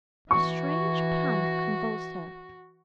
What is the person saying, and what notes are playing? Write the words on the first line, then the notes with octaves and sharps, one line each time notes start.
A strange pang convulsed her.
E3 F#4 C#6